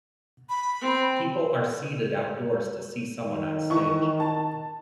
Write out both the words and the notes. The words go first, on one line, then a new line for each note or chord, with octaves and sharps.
People are seated outdoors to see someone on stage.
B5
C4
D#3
E3 C#6
A5